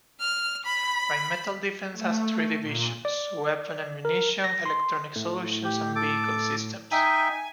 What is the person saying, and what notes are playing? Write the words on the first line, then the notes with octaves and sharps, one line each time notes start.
Rheinmetall Defence has three divisions: Weapon and Munition, Electronic Solutions, and Vehicle Systems.
F6
B5
A3
A#2
D5
A#4
A#6
C6
A2
G4
A4 D6
D#4 E5 G5 G#5